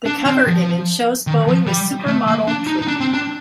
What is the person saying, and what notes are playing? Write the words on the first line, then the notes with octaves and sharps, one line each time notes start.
The cover image shows Bowie with supermodel Twiggy.
D4
C4
F3
D#3
F3
G3
A3
A#3
D4
D#4
D#4
D4
C4
D4